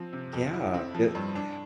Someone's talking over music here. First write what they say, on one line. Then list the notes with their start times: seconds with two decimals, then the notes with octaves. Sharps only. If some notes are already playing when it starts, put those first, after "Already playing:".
Yeah, it yeah,
Already playing: F3 C4
0.13 C3
0.33 F2
0.54 E4
0.74 C4
0.94 F3
1.15 G2
1.35 D4